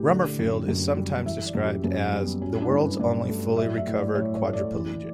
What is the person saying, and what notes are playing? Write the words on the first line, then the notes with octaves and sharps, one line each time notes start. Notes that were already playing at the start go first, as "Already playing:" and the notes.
Rummerfield is sometimes described as "the world's only fully recovered quadriplegic".
Already playing: A2 G4
D3
F#2
F#2
G3
E3 E5
D5
F#2
G4
F#2 C#4
C#4
G3
B3
F#3 C#4
E4
D4
G2
B4
G2 D5
A3
F#3 E5
E5
A2
D5
A2 C#5
C#5
A3
D5
E3